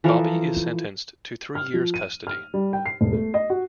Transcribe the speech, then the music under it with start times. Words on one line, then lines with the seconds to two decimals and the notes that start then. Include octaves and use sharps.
Bobby is sentenced to three years custody.
0.04 E3 F3 A4 A#4
1.55 F6
1.74 F3
1.94 D#7
2.27 F6
2.54 G3
2.73 G5
2.86 C7
3.01 E1
3.13 A3
3.34 D#5
3.50 F#4